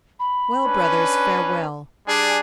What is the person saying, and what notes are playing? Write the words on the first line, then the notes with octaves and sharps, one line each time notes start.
'Well, brothers, farewell!
B5
C#4 D4 B4
G3 D4 G#4 G#5